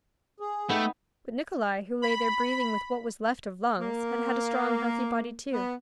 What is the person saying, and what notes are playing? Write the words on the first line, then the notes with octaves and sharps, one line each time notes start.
But Nikolay, who lay there breathing with what was left of lungs, had had a strong, healthy body too.
G#4
A3 B3 D#4 G5
B5
A#3
B3